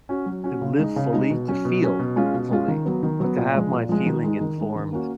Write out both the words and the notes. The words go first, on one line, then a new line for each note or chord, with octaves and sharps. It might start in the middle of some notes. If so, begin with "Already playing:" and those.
to live fully, to feel fully, but to have my feeling informed
C#4 F#4
F#3
C#4 F#4
C#3
G#3 D#4
C#3
G#3 D#4
B2
F#3 C#4
B2
F#3 C#4
B2
G#3 C#4 F4
B2
G#3 C#4 F4
D#3
F#3 B3
D#3
F#3 B3
A#2
F3 G#3
A#2
F3 G#3
D#3
G#3 D#4
D#3
G#3 D#4
D#3
A#3 C#4 F#4